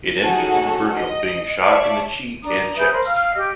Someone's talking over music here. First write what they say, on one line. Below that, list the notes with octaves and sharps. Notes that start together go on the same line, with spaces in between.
It ended in Virgil being shot in the cheek and chest.
C#4 D#4 F#4 G#4 A4
D#5
C#5 D5 E5 F5 A5 C#6
D4 A#5 D#6
G#4 B4 E5 G6
A#4 C5 A5 B5
F5 E6 F6
G4 D#5